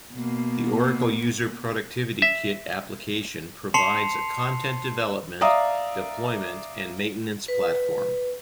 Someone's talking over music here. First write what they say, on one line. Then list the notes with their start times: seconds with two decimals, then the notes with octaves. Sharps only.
The Oracle User Productivity Kit application provides a content-development, deployment, and maintenance platform.
0.13 B2 A#3
2.22 E5
3.74 A5 C6 C7 C#7 F7
5.41 D5 E5 F5 A#5 D#6
7.48 B4